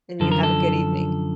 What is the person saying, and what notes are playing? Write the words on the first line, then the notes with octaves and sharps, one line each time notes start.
And you have a good evening.
F#2 D3 F3 A4
A#4
A4